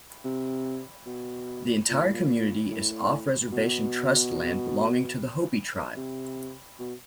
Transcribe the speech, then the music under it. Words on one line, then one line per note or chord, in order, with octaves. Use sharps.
The entire community is off-reservation trust land belonging to the Hopi tribe.
C3
B2
A#2
A2
A#2
A2
B2
C3
B2